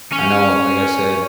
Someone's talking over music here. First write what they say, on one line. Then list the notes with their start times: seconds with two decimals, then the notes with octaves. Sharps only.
I know like I said,
0.13 C#4